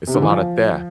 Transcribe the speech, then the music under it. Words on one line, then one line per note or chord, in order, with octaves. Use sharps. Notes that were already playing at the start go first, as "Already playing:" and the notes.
It's a lot of theft.
C3
D3
E3
F3